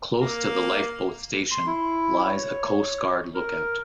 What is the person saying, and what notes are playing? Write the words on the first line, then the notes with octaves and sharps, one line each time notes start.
Close to the lifeboat station lies a coastguard lookout.
A#3
C6
E4
C#5
A#4